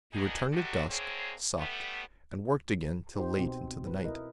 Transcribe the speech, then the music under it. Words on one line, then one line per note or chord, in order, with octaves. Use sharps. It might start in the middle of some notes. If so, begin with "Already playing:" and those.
He returned at dusk, supped, and worked again till late into the night.
A#3 B3 D4 D#4 G#4
F#3 G#3 A3 F#4 G4 A4
D2 D3 A#3 C4 G#4 C#5
G3 A3 B3
D#4 G4 C5
B2 C4
B4
E4 A#4 D#5